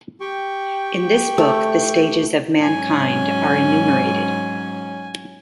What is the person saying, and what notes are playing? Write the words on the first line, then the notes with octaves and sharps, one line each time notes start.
In this book the stages of mankind are enumerated.
G4 G5 C#6
A3
G#2 F#3 C#4 G#5